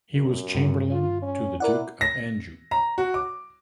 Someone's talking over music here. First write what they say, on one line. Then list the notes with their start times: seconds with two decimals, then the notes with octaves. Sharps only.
He was Chamberlain to the Duke of Anjou.
0.13 F#2
0.55 G2
0.91 F4
1.22 C#4
1.60 E4 A#4 D5 F#5
2.01 A#6
2.71 A#5
2.98 F#4
3.14 D6